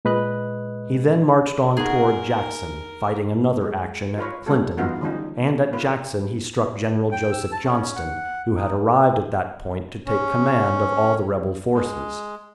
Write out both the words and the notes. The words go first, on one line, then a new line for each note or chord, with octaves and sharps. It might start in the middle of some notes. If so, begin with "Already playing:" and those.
He then marched on toward Jackson, fighting another action at Clinton, and at Jackson he struck General Joseph Johnston, who had arrived at that point to take command of all the rebel forces.
A#2 G#3 B4 D#5 F#6
D#4 F#4 G#4 A#4
G#3
F4 A#4 B4 C#5
G3 G#3 A#3 C#4 F#4 A4
E3 B3 D#4 F4 F#4 A#4
D3 D#3 F3 G3 C#4 D#4
A#3 F4 B4
G5
E6
A5
C#4
F#5
D#4
C#4
G#3